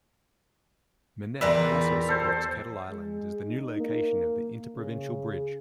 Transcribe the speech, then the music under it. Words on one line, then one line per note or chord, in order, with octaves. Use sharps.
Monette also supports Kettle Island as the new location of the Interprovincial Bridge.
E2 A#2 G3 B4 E5 A#5
A4 C5
G#3
D#4
A#3
C#3